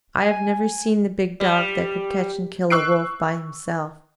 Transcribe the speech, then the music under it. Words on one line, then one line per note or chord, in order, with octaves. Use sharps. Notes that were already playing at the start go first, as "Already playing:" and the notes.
I have never seen the big dog that could catch and kill a wolf by himself.
G#5
G3
C#6 E6 F#6 C7 D7